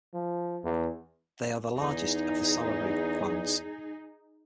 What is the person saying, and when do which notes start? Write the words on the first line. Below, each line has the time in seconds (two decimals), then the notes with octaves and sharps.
They are the largest of the salivary glands.
0.14 F3
0.64 E2
1.78 E2 D#4 G#4